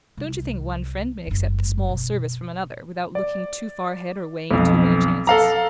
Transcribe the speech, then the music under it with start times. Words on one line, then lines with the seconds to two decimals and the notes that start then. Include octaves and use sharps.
Don't you think one friend may accept a small service from another without looking too far ahead or weighing too many chances?
0.17 C2
1.27 F#1 G#2
1.89 B2
3.15 D5
4.51 B1 F2
5.27 A4 F5 A#5